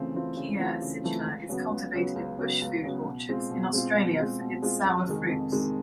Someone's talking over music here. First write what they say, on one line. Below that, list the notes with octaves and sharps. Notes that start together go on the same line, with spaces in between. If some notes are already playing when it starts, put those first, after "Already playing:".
Acronychia acidula is cultivated in bush food orchards in Australia for its sour fruits.
Already playing: C#3 E3 A3 C4 F4
E3 A3 C4 F4
C#3
E3 A3 C4 F4
C#3
E3 A3 C4 F4
C#2
C#3 F#3 B3
C#2
C#3 F#3 B3
C#2
C#3 F#3 B3
C#2
C#3 F#3 B3
B2
G#3 C4 F4
B2
G#3 C4 F4
B2
G#3 C4 F4
B2
G#3 C4 F4
F2
C3 D#3 G#3
F2
C3 D#3 G#3